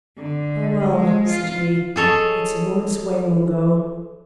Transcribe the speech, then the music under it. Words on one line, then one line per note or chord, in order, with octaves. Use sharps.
"Oh, well!" said he, "it's a woman's way, Mungo."
D3
G#3
F4
G#4 A4 C#5 D#5